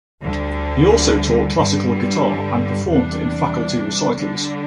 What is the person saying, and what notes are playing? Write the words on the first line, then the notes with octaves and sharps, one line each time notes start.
He also taught classical guitar and performed in faculty recitals.
D2 D3 G3
G2 D3 G3
E2 C3 G3 D4
D3 G3 D4